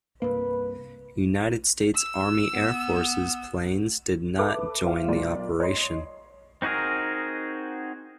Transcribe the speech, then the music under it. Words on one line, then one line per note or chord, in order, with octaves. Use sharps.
United States Army Air Forces planes did not join the operation.
C2 G2 A#3 B4
E6
B3
A4 B4 E5 D6
F4 C5 E5 F5
B1 A#2 D5 C6
C#5 D#5 C6 C7
C4 D#4 F#4 G#4 A#4